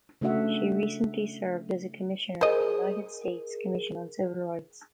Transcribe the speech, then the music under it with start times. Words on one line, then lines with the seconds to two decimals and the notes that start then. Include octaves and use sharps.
She recently served as a Commissioner on the United States Commission on Civil Rights.
0.21 C#3 A3 D4 F#4 E5 F#5
2.41 G#4 A#4 C5 D#5